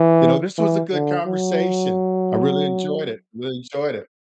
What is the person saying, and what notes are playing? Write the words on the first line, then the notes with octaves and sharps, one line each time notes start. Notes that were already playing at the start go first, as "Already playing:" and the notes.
you know, this was a good conversation. I really enjoyed it. Really enjoyed it.
Already playing: E3
E3
D3
F#3